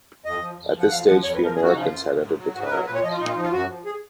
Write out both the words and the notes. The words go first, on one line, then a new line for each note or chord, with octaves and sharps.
At this stage, few Americans had entered the town.
F2 D#5
F3
F2
F3
F#5
F2 F5
F3 F#5
F2 C#5
B4
F3 A#4
F#2 G#4
F#4
C#3 F3 D#4 F4
F#2
C#3 F3
G#2
F#3
G#2 F#4
B4
F#3 A#4
A#2 B4
C#5
F3 D#5
F4
A#2 D#4
F4
F3 D#4
F4
F#2 F#4
F3
G#4